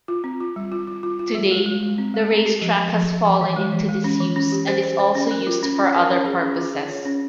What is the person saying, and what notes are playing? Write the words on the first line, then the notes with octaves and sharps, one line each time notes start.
Today the racetrack has fallen into disuse and is also used for other purposes.
F4
C4
F4
G3
F4
F4
F4
F4
G3
G#3
G#3
G#3
C4
G#3
C4
G4
F3
F3
F3
F3
F3
E3
G#3
E3
G#3
C#4
E3
C#4
G4
C5
C5
C5
C#4
A#4
F4
C#4
C#4
A#4
C#4
G#4
C#4
F4
G#4
C#5
C#4